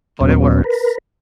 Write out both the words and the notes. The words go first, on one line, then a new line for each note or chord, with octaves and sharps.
but it works.
D#2 A#2 F#3 B3 C#4
A#4 B4